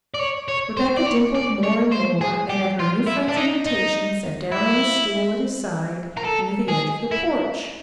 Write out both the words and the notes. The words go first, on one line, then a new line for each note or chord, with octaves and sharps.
Rebecca dimpled more and more, and at her new friend's invitation sat down on a stool at his side near the edge of the porch.
D5
C#5
C#5
C5
D5
C#5
D5
C#5
C5
G#4
G4
F4
E4
D4
D#4
D#4
E4
A#4
A4
G#4
E4